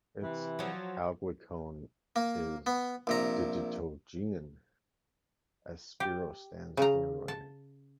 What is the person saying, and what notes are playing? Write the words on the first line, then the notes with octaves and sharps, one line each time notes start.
Its aglycone is digitogenin, a spirostan steroid.
C3 E3
F3 F#3
A#3
B3
A#1 C3 A#5
G4
C#3 A#5
A5